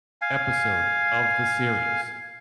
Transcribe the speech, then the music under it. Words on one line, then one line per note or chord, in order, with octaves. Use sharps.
episode of the series
F5 G#5